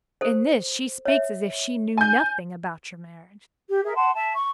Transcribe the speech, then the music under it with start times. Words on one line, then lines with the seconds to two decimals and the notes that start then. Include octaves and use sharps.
"In this she speaks as if she knew nothing about your marriage."
0.21 A4 C5
1.05 C#5 E5
1.97 G#5 G6
3.69 G4
3.83 G#4 A#4 E5
3.94 F#5 A5 C6
4.14 E5 A5
4.33 C#6